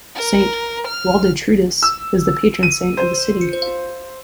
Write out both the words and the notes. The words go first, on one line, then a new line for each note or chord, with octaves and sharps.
Saint-Waldetrudis is the patron saint of the city.
A#4
F6
E6
D#7
C5